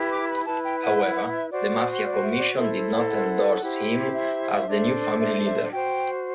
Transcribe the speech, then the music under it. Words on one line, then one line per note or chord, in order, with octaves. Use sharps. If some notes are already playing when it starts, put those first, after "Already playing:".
However, the Mafia Commission did not endorse him as the new family leader.
Already playing: E4 G4 B4
D6
B5
E4 B4 A5
G5
F#5
F#5
F#5
E5
F#4 C5 D5
D5
E5
D5
E4 A4 C5 E5
F#5
F#5
E4 G4 C5
E5
D4 A4 C5
E5
E5
F#4 C5 G5